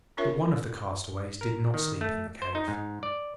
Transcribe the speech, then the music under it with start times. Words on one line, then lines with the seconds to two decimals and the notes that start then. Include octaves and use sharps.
But one of the castaways did not sleep in the cave.
0.17 C4 D4 F4 A#4 C#5 E5
1.41 A#4
1.74 D#3
2.01 A3
2.42 C5
2.55 D#4
2.68 G#2
3.03 D5